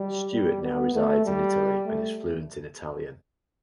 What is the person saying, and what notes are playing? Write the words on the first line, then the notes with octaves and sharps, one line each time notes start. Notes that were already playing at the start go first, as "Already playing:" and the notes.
Stewart now resides in Italy, and is fluent in Italian.
Already playing: G3
G3
B3
A3
G3
A3